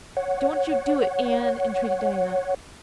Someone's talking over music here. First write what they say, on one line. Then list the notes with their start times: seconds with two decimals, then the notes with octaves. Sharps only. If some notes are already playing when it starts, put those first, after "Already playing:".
"Don't you do it, Anne," entreated Diana.
0.17 C#5 F#5